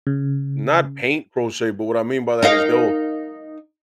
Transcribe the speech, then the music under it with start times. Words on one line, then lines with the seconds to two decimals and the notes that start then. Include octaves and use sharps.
not paint crochet, but what I mean by that is they'll
0.07 C#3
2.42 D#4 A#4 F5